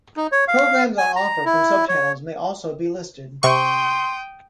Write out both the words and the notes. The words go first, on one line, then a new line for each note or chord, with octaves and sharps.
Programs on offer from subchannels may also be listed.
D#4
C#5
F5
G#5
A#5
E4
C#5
C3 G5 C6 C#6 D#6